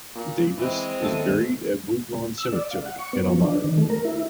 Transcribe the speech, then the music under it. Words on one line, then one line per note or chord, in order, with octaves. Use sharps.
Davis is buried at Woodlawn Cemetery in Elmira.
A#2
E3 G#3 C4 E4
D#2 D#3 A3 B3 A4
E6
D5
F5
F#5
C#6
B3
F3
D4
D#3
A3
A#4
E4